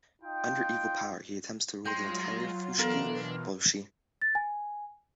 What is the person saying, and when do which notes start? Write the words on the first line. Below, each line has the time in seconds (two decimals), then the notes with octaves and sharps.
Under evil power, he attempts to rule the entire Fushigi-boshi.
0.22 D#4 F4 G5
1.85 F#3 G#3 F4 C5 G5
2.78 B2 E3 B3 D4 A4 A#4 F5
4.22 A6
4.35 G#5